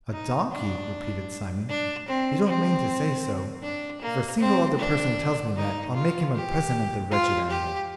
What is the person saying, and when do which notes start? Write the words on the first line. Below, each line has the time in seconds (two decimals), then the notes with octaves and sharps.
'A donkey!' repeated Simon, 'you don't mean to say so; if a single other person tells me that, I'll make him a present of the wretched animal.'
0.13 D#4
0.52 D4
1.69 D4
2.08 C4
2.47 C4
3.62 D4
4.01 A#3
4.40 C4
4.79 D4
5.56 D#4
5.94 F4
6.34 G4
7.11 F4
7.50 G4